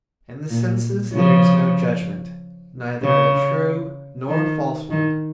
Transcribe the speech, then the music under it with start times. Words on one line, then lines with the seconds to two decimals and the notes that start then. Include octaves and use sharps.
In the senses there is no judgement--neither a true nor a false one.
0.50 A#2
1.13 C#3 F3
3.02 C#3
4.28 D#3
4.90 D#3